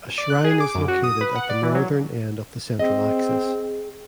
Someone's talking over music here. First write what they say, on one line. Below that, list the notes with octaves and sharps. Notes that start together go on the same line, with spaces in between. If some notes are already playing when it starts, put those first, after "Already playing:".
A shrine is located at the northern end of the central axis.
D5
F#6
G#4
D6
F#2
F#4
D#6
B4
F#5
D5
E3
F#3
C4 G#4 D#5